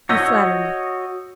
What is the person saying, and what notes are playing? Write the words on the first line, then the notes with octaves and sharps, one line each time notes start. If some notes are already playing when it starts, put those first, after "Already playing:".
"You flatter me!"
F#4 C#5 D#5 E6 G6 A#6